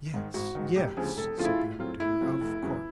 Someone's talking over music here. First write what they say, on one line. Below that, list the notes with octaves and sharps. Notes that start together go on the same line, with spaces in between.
'Yes, yes,' said the undertaker,'of course.
G#2 D#3
G#1 F#4
G#2 D#3
E1 G4
D2 C#3 F3 A3 G#4
E1 A4
D2 C#3 F3 A3 F4
E4
A2
F#3 A3 C4 F4
A2 E4
F#3 A3 C4 F4
F1
E2 C#3 F#3